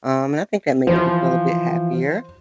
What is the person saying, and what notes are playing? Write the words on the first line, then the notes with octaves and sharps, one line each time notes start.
um, and I think that makes me feel a bit happier,
E3 F3 C5